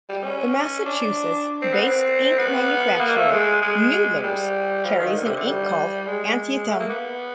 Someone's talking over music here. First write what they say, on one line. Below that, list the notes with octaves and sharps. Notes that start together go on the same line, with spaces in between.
The Massachusetts based ink manufacturer Noodler's carries an ink called Antietam.
G3
C#4
D4
C4
B3
C4
B3
A#3
A3
G#3
G#3
G3
F3
D#3
D3
C3
D3
G3
G#3
A3
A#3
B3